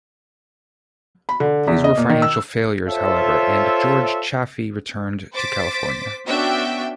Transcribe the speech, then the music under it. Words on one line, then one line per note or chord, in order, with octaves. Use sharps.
These were financial failures, however, and George Chaffey returned to California.
B5
D3
E2
D#5
A#2
D#3
E6
F4 A4 C5 C#5 E5
C5 D6 A6 B6
B3 C#4 D4 F#4 E5 G5